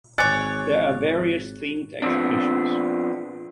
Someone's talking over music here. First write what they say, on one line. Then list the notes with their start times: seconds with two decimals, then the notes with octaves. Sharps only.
There are various themed exhibitions.
0.18 G#1 C#5 G#5 D6 F#6 A6 C#7
2.02 F3 B3 C4 D4